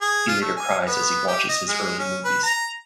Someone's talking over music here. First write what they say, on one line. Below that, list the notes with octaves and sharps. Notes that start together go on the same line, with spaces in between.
He later cries as he watches his early movies.
G#4
F4
A3
G#5
B3
G4
D#5
G#3
C#4
B4
A#5